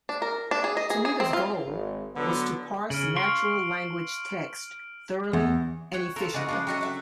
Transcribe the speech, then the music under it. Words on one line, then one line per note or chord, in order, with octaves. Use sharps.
Tomita's goal was to parse natural language text thoroughly and efficiently.
D4
A#4
D4
G#4
D#5
G#4
G#4
C4
F4
G#1
D3 F#3 B3 B4
C#3 F6 D7 F#7
F5 C6 C#6 D7
E2
C#5 F#5 G5
F4 A4 A#4
C#3 F#4 D5 D#5 F#5
C#3 F3 G#3 D4 F4
F#3 F#4 A4 D#5 E5 G5
C4 E5 F#5